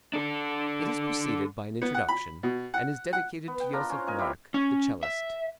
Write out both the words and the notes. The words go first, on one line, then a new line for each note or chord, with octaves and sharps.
It is preceded by an introduction, and is dedicated to Joseph Merk, the 'cellist.
D4 A4
B3
F#5
B5
B2
F#5
F#5
B3
G5
D4 F4 A#4 A#5
C#4 C5 C#5
A#2 A#4 D#5 G#5
E4 F4 G4
C#4
E5